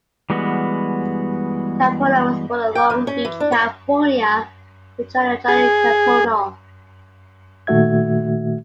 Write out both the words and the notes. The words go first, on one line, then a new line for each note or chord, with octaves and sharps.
Kapono was born in Long Beach, California to Joe and Joni Kapono.
E3 G3 G#3 B3 F#4
G5
E3
C#4
E3
D4
C#5
G#4
A#2 D#3 A3 F#4 E5 G#6